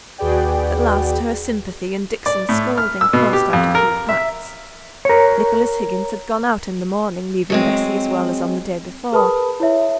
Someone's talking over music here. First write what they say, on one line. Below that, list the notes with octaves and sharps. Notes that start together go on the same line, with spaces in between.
At last, her sympathy, and Dixon's scolding, forced out a few facts. Nicholas Higgins had gone out in the morning, leaving Bessy as well as on the day before.
D#2 F#4 G#4 B4 D5 G5
D5
A2
F6
E6
B2
G4
F2
A#4
E5
A#4 C#5
F#3 G#3 C4
G#4 A#4 B4 A5 B5 D#6
E4 C#5 E5